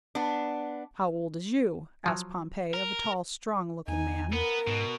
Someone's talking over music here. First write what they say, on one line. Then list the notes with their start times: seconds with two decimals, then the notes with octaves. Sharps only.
"How old is you?" asked Pompey of a tall, strong-looking man.
0.15 B3 D4
2.06 F3 F#3
2.74 A#4
3.88 E2 D#4 G#5
4.32 B3 A#4
4.67 G#2 B2